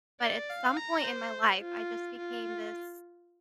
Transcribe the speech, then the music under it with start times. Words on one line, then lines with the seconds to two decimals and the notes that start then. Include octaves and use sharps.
but at some point in my life I just became this
0.21 D5
0.50 F5
0.77 A#5
1.05 C5
1.61 F4
2.18 F4